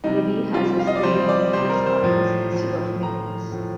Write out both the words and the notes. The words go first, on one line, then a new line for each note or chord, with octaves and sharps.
Livy has his praenomen as Marcus instead of Manius.
C3 G3 D#4
C3 G3 F4
F5
D#5
D5
C3 G3 C5
D5
C3 G3 C5
A#4
C5
A2 F3
A2 F3
A2 F3 A#5
A2 F3